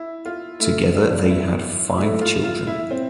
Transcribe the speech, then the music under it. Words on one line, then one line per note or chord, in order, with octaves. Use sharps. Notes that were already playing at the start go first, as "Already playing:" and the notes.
Together they have five children.
Already playing: E4
F4
A3 E4
D4
B3 E4
A3 E4
F4
F4
E4
C4